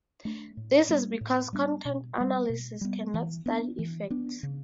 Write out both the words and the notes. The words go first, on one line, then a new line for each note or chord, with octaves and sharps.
This is because content analysis cannot study effects.
A3 D4
A2
G3 B3 D4
A2
G3 B3 D4
B2
G3 B3
B2
G3 B3
E3
B3 D4
E3
B3 D4
C#3